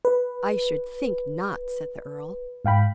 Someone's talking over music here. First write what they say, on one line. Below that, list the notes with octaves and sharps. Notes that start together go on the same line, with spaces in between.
"I should think not," said the earl.
B4
G#2 F5 G5 B5